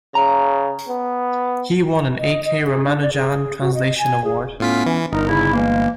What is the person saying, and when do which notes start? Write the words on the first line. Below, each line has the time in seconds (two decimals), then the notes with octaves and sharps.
He won an A. K. Ramanujan Translation Award.
0.15 C#3 A#5
0.89 B3
2.18 D#5
2.45 D#5
2.65 G#4
2.86 D4
3.02 D5
3.14 G#4
3.60 F#4
3.75 D#5
3.98 G#5
4.24 G#4
4.60 A2 B3 C#4 F4 B6
4.86 E3
5.13 G1 D#4 A#4
5.28 C#3 D#4 E4
5.53 E3 G#3 A#3